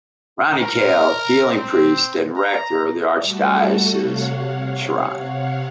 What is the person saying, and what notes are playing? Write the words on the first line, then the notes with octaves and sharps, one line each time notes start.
Ronnie Cao, Healing Priest and Rector of the Archdiocesan Shrine.
A#4
C4
A#5
G3 A3 F#4 A4
C3 C#5 F5 F#5